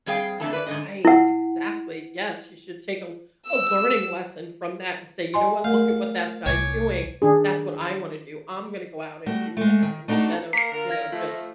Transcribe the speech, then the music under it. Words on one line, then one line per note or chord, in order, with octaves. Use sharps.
Right, exactly, yes. You should take a a learning lesson from that and say, "You know what? Look at what thats guy's doing. That's what I wanna do. I'm gonna go out and do that," instead of, you know, just
F2 G3 G#4 F5 G5
F2 D3 A3 A4 A5 A#5
B4 D5
G#2 D3 D#5
E4 F#5
E6
D#5 G#5 C6
A3 A#4 F5
C2 G3 C#5 G#5 D6
D#3 D4 G#4
G3 A3 F#4
G#3 A3
D#3
A3 D4 D#4 F4 F#4 A4
A#3 A#5 B6 C7
D3 F4 A#4
F5 G#6 A#6
F3 A3 F4